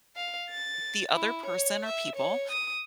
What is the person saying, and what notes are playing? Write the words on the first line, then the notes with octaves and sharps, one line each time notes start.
the other person, or people,
F5
A6
E4
C#5
E5
C#5
D#6